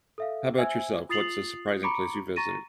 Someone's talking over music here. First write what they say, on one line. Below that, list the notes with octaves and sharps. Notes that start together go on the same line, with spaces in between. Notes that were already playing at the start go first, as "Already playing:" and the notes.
How about yourself- what's a surprising place you visited?
A4 E5 F5
C5 E5 G#5 E6 G#6
F4 D#6 A6 C7 F7 F#7
A#5 B5 C#6 D6 C#7 D7
A#5 C#6 A6 A#6 D#7